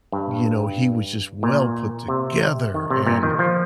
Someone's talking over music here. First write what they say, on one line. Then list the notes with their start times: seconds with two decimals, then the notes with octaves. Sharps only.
you know, he was just well put together and,
0.12 G2
1.43 A#2
2.08 C3
2.74 D#3
2.90 C3
3.07 A#2
3.23 D#3
3.39 F3